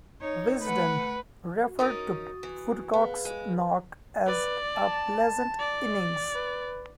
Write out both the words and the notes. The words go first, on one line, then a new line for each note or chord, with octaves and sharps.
"Wisden" referred to Woodcock's knock as a "pleasant innings".
D#4 C#5
A3 B4 F#5
F#4
C#4 D#4 A#4 D#6 A6
E3
B3 G#4 B4 F5
G#3
B4 D5
A5
D5
B4